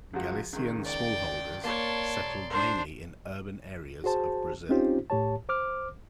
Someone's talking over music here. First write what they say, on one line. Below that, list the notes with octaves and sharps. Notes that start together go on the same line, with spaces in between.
Galician smallholders settled mainly in urban areas of Brazil.
C#2 F3 F#4
C#2 D#3
D5 G5
A#3 C#5 D5 A5 C6
E1
D4 C5
F#4 G#4 C5 A5
C4 C#4 D#4 F4 G4 C5
A2 G4 C#5 A5
C5 D6 F6